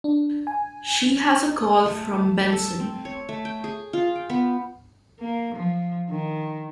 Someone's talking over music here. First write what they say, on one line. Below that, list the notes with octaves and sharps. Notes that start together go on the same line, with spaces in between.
She has a call from Benson.
D4
G#5
A3
A5
A4
C4
C#5
A3
G5
G#4
F4
G5
B3
A#3
F3
D#3